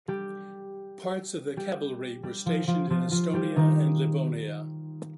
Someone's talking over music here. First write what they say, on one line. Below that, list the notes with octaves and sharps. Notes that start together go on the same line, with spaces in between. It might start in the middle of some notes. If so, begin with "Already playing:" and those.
Parts of the cavalry were stationed in Estonia and Livonia.
G3 G4
G3 G4
G3 G4
F3 F4
F3 F4
F3 F4
F3 F4
G3 G4
D#3 D#4